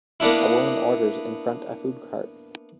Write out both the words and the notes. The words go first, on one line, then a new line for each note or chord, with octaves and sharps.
A woman orders in front a food cart.
A#3 B3 D4 E4